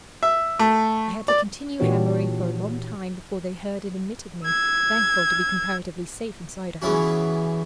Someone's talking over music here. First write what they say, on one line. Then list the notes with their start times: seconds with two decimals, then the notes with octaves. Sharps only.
"I had to continue hammering for a long time before they heard and admitted me, thankful to be comparatively safe inside a house."
0.23 E5
0.59 A3
1.28 D5
1.80 A#2 E3 D4 F#4 G4 C#5
4.45 E6 G#6
6.82 C#3 E3 B3 C#4 E4 F#4